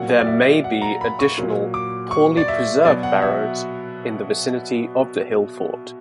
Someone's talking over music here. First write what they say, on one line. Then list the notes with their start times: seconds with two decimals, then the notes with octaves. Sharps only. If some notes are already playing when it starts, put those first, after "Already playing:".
There may be additional poorly preserved barrows in the vicinity of the hill fort.
Already playing: A#2 F#3 F#5
0.20 D5
0.26 E5
0.64 F#5
0.82 A#5
1.01 B5
1.19 C#6
1.38 A#2 F#3
1.74 D6
2.11 C#6
2.37 D5
2.48 E5
2.85 B2 F#3 D5
3.03 F#5
3.22 E5